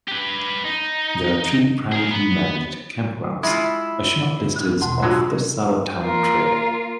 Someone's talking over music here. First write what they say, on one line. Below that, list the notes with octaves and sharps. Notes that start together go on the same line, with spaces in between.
There are three privately managed campgrounds a short distance off the Sauratown Trail.
G4 B4
D#4
G#4 A#4
B3
G#3 E4 F4 D6
E1 F#5 A5 C6
D3 F#3 G#3 F4 F#4
A#3 F4 A#4